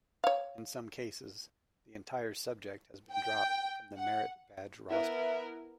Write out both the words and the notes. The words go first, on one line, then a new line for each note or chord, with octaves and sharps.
In some cases, the entire subject has been dropped from the merit badge roster.
C#5 F5
G5
F#5
B3 E4 A#4 B4 E5